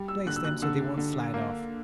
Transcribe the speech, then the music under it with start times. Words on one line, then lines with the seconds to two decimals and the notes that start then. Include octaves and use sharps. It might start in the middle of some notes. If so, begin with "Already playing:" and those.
Place them so they won't slide off.
Already playing: G3
0.08 E6
0.26 D3 F#6
0.36 E6
0.44 F#6
0.62 D3 E6
0.97 D3
1.34 A#3